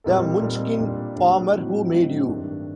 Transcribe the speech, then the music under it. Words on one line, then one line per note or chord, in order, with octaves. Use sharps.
The Munchkin farmer who made you?
A#2 G3 C4 D#4 A4
A#2 G3 C4 D#4 A4
A#2 G3 A#3 D4
A#2 G3 A#3 D4
A2 F#3 C4 D#4 F#4
A2 F#3 C4 D#4 F#4
G2 D#3 A3 D4 G4